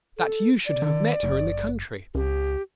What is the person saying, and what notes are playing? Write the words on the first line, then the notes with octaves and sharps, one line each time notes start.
That you should have met her in the country!
A4
D5
D#3
F#1
C#2 G4